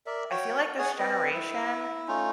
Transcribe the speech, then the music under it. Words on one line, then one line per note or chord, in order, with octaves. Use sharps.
I feel like this generation-
A#4 D5 E5
F#4 C#5 G5
G#4 C#5 F#5 G#5
C4 B4 D#5
E4
A3 C#4 D#4 F4